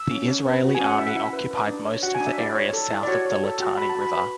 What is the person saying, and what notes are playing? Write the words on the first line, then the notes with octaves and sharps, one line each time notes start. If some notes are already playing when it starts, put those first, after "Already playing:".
The Israeli Army occupied most of the area south of the Litani River.
Already playing: E6
C#4
C#4
B4
F#4
G#5
C#4
F#5
E4 E5
F#5
E4 E5
B4
B4
D4
C#5
F#4 F#5
G#5
D4
E5
E4 D5
C#5
A4
E4
D5
F#4 C#5
C#5
A4
F#4
F#4 B5
A5
F#4
B5
B4 B5